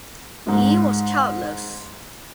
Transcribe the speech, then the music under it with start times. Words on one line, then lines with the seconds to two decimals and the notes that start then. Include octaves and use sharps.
Li was childless.
0.47 G#2 G#3